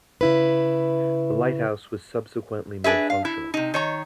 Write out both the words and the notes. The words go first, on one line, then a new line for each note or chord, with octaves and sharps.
The lighthouse was subsequently made functional.
C#3 E4 B4
D4 G#4 B4 E5
F5
E4
C3 D#4
D#3 C#5 A#5